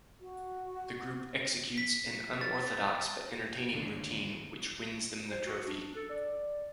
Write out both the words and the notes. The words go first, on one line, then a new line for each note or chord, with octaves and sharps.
The group executes an unorthodox but entertaining routine which wins them the trophy.
F#4
B6
A6
D#2 D3
C5
F#4
D4
A4
D5